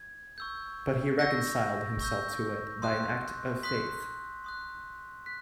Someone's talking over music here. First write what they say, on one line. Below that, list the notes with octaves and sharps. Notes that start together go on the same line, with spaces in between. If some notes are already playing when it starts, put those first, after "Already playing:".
But he reconciled himself to it by an act of faith.
Already playing: G#6
C#6 E6 G6
C#6 E6 G6 A#6
C#6 E6 G6
C6 D#6 F#6
C6 D#6 F#6 B6
C6 D#6 F#6
F#6 B6